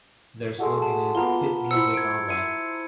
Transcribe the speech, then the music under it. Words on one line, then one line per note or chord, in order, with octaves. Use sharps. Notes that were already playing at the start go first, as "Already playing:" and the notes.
Their slogan is "Hit music only".
G#3 A3 F#4
A5
A#3 B3 F4 A#5 G7
E4 C5 E6 C#7
G#6 D7
E5 C6 G#6 C#7 D#7